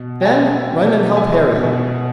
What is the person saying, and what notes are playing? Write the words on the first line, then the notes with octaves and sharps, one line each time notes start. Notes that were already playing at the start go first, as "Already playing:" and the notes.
Ben, run and help Harry.
Already playing: B2
G5
E5 G#5
B2
E5 G#5
C#5 E5
B2